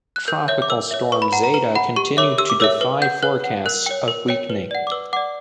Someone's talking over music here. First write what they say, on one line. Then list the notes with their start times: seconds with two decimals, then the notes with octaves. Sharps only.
Tropical Storm Zeta continued to defy forecasts of weakening.
0.16 F#6
0.28 A#4 G6
0.48 C#5 E5 G6
0.62 D6
0.70 A#4 E6
0.91 C#5 E5
1.12 B4 C#6
1.22 B5
1.32 F#5 A#5
1.44 A#5
1.54 B4 A#5
1.75 F#5 B5
1.96 G4 C#6
2.17 A#4 C#5 E5 D6
2.38 G4 E6
2.50 D6
2.60 A#4 C#5 E5 E6
2.81 B4
3.02 F#5 G6
3.23 B4 F#6
3.44 F#5
3.66 A#4 F#6
3.86 C#5 G5
4.08 A#4
4.28 C#5 G5
4.50 B4
4.71 D5 F#5
4.87 D6
4.92 B4 E6
5.13 D5 F#5 D6